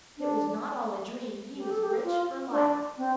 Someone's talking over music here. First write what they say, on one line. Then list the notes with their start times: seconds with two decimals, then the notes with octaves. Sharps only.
If it was not all a dream, he was rich for life.
0.18 D4
1.57 G4
1.70 A4
1.83 G4
2.04 F4
2.51 D4
2.98 C4